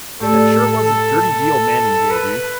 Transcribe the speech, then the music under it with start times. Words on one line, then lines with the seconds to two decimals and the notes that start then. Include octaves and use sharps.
"That sure was a dirty deal Manning gave you."
0.20 A2 A3 G4 A4 D5
0.53 A4
0.85 A4
1.16 A4
2.11 B4